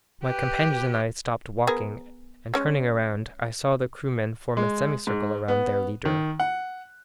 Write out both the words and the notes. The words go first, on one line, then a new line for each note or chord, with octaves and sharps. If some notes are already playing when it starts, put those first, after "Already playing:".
My companions and I stopped walking, and turning around, I saw the crewmen form a semicircle around their leader.
G4 B4 G5
B3 G#4 A#4
G#3 C#4
G#3
G#2
B3
D#3
F#5